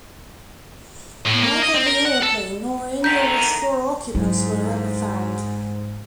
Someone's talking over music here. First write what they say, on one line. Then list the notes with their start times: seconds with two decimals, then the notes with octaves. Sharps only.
Neither the airplane nor any of its four occupants were ever found.
1.26 A2
1.43 A#3
1.62 D#5
1.74 C4
1.86 A#4
2.05 F#5
2.23 A4
3.04 E2 D3 D#3 A#5 G6 B6
4.15 G#2 F#3 E4